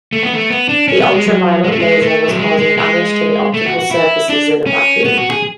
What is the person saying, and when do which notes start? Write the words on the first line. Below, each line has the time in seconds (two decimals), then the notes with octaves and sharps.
The ultraviolet laser was causing damage to the optical surfaces in a vacuum.
0.13 A3
0.23 B3
0.34 A3
0.50 B3
0.69 D4
0.88 C#4
1.01 B3
1.13 G#3
1.26 F#3
1.64 G#3
1.72 A3
1.80 G#3
2.02 A3
2.28 F#3
2.39 G#3
2.59 G#3
2.77 G#3
3.54 A3
3.66 F#4
3.79 F#4
3.91 E4
4.29 D4
4.67 C#4
5.05 B3
5.18 F#4
5.30 G#4